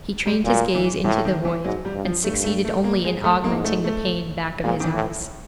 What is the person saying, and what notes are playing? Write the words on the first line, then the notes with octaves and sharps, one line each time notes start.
He trained his gaze into the void and succeeded only in augmenting the pain back of his eyes.
G3
A#2 F#3
E3
A2 E3
D#3
E3
G#2 F#3
G3
G2
F3
G2 A3
A3
A3
A#3
G#3
A3
G#2 A#3
A3
A3
A#2 G#3
D#3
E3
A2